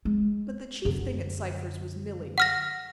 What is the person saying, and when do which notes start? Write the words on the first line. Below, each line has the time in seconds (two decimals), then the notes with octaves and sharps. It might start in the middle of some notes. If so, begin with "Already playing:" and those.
But the chief thing at Cypher's was Milly.
0.05 G#3
0.85 F#2 D3
2.38 F#5 F6 A#6